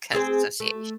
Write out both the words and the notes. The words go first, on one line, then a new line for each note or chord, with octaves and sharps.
'cause association.
C4 G#4 C5
A3